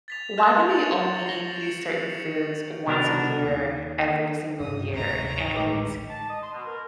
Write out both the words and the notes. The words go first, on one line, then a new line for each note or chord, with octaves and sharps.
why do we only eat these certain foods once a year, every single year? And
A6 B6 F7
F6 G6 G#6 A#6 E7
C#6 A6 C#7 D7 F7 F#7
A#6 C7
C#7 D7 E7 F#7
C2 B2 D3 B3 D4 A#4
D#2
G2 C3 E5 D#6
D1 D2 G#2 C3 C4 C#5 A#5
A1 D2 A2 G#3 G#4 B4
A5
D#5
C6
B2
A#4